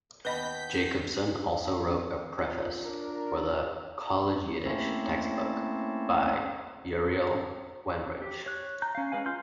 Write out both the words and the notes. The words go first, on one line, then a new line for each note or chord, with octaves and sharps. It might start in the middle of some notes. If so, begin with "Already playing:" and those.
Jakobson also wrote a preface for the "College Yiddish" textbook by Uriel Weinreich.
D#2 B3 B4 D#5 B5 G6 B6
D#3
F4
D4 A#4
A3 A#3 C4 C#4 E4
G4
C#5 F#6
A#5 G6
C#4 F5
G#3 B4 F5 G#5
F4 C6 F6 G6